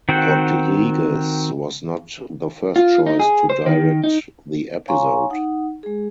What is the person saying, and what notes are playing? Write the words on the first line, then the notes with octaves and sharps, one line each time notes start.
Rodriguez was not the first choice to direct the episode.
D#3 C4 F#4 F#5 G5
F4
D#4
G#4
C5
D#3
D#4
C#5 F5 G#5 A#5 C6 C#6
D#4 F#5
G#3 G#4